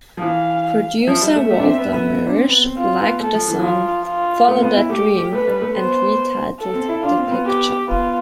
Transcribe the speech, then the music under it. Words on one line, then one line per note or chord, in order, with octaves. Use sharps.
Producer Walter Mirisch liked the song "Follow that Dream" and retitled the picture.
F3
E3 F5
F3 E5
G3
A3
A3
D4
C4
B3
B3
D4
C4
B3
C4
C4 F4
B3
A3 A4
F3
E3
E3
F3 F4
F4
A3
C4
B3
E4
A3 G4
A3 B4
G3
A3
B3 C5
A4
C4
E4
D4 F4
C4
C4
B3
G4
B3 F4